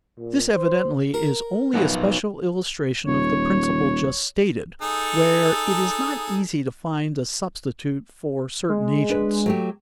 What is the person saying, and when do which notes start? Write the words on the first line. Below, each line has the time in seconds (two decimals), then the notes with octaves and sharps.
This evidently is only a special illustration of the principle just stated, where it is not easy to find a substitute for certain agents.
0.19 A#2
0.51 C5
1.14 A#4
1.74 F#2 F3 F#3 B3 D#4 B4
3.07 D#1 C#5
4.82 D#4 G#4 A4
8.69 G#3
9.10 D4 B4
9.46 F#3 A3 G4